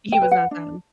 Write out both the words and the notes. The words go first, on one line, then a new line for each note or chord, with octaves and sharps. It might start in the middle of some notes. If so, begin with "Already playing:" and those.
He was not them.
G5
B4
F#5
D4